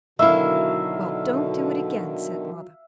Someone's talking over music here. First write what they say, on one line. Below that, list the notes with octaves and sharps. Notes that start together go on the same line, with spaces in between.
'Well, don't do it again,' said mother.
B2 D3 D#3 F#3 E4 E5 F5